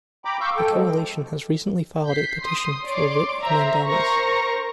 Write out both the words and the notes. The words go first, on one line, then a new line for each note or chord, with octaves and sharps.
The Coalition has recently filed a Petition for Writ of Mandamus.
G5 A#5 B5 D6
F5 C#6 D6 E6 G6
A4 G5
F3 G#3
G6 B6 C7
C6 D#6
C#5 D5 C6 D6
C5 E5 A#5
A#4 C5 A#5 C#6 A#6 C#7